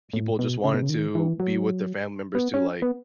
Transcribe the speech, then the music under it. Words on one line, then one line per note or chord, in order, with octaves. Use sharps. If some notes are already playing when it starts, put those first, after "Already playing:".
people just wanted to be with their family members to, like
A2
B2
C#3
B2
C#3
D#3
E3
F#3
B3
C#4
B3